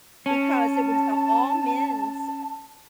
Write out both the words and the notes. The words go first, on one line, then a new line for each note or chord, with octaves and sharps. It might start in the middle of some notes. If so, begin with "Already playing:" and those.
because it was a all men's,
C#4 A5